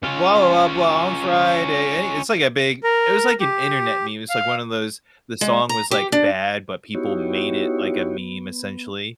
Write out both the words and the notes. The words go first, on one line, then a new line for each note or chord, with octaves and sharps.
Blah, blah, blah, blah. On Friday. Eh, it's like a big it was like an internet meme, it's like one of those, the song was, like, bad, but people made it like a meme essentially.
C#4 F4
A#4
G4
F5
G#3
A#5
G4
D4
B3 D#4 E4 F#4 G4 C#5
B3